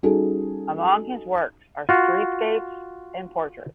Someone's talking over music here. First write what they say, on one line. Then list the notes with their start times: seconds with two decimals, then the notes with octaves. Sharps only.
Among his works are streetscapes and portraits.
0.03 G3 C#4 D#4 F#4 G#4 A4
1.89 F4 F#4